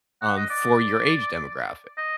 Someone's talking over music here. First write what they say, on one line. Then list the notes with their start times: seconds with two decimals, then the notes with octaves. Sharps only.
um, for your age demographic.
0.22 F#5
0.37 D#5
0.50 D5
1.97 D#5